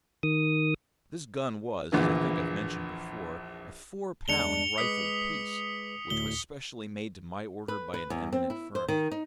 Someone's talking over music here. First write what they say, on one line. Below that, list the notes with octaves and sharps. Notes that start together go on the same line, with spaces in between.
This gun was, as I think I have mentioned before, a four-pound rifled piece, which was specially made to my order by an eminent firm.
D#3 D#6
A#1 E2 A#2 D3 E3
E2 G#3 D4 C#7 F7 G7
G#3 B4 D6 D#6 B6
D2 A2 G7
B4
B4
E2
C4
E4
C5
D#3
D#4